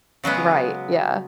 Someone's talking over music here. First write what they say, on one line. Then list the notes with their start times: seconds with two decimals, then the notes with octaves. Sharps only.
Right, yeah.
0.24 C#3 F#3 G#3 B3